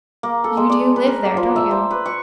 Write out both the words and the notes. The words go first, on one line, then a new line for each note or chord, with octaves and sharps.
You do live there, don't you?
A#3
A4
G#3
D5
B4
A#4
A#3
F3
E5
C5
B4
C#6